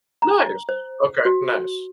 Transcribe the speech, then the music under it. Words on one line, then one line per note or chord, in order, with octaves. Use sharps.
Nice. Okay, nice.
A#5
C5
F#4